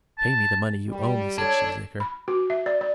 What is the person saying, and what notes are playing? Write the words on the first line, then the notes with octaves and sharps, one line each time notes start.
"Pay me the money you owe me," said Cheesacre.
A5
G3
D4 A4 C#5 G#6
B5
F#4
E5
D5
D5